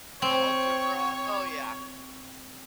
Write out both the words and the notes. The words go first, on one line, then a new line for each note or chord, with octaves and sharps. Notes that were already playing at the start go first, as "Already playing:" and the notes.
Algebra, oh yeah,
C4 C#5